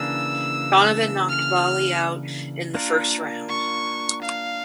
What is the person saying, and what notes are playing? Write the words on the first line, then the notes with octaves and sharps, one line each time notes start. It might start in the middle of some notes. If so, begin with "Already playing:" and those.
Donovan knocked Balli out in the first round.
Already playing: C#3 E3 A#3 D4 E6
F6
A#3 D4 F4 A#4
C#6
F5